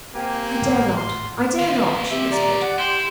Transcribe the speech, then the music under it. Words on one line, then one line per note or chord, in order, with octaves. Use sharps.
"I dare not--I dare not," she whispered.
A#3 C4 G4 G#5
G#1 A2 A3
F4 F#4 C6
A#2 D#3 B4 F5
C4 G4 E5
G4 D5 A#5
F#5
E4 G5 C6